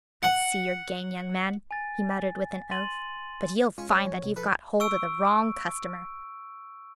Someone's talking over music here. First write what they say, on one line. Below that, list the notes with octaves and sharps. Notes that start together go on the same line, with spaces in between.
I see your game, young man," he muttered with an oath, "but you'll find that you've got hold of the wrong customer.
F#5
G#5 A6
C6 A6 D#7 F#7
G#3 C#4 F4
C#5
F3
C3
F3 A4 B4
C#6 E6 D7